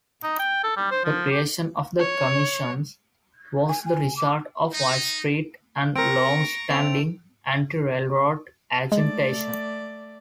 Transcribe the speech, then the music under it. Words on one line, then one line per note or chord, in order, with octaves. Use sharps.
The creation of the commission was the result of widespread and longstanding anti-railroad agitation.
D#4
G5
A4
G3
C5
F3
G4
C#5
G#5
G#5
D6
D#4
C4 A#4 A#5 C#6 D7
A3 C4 F7
G#3 A3 D5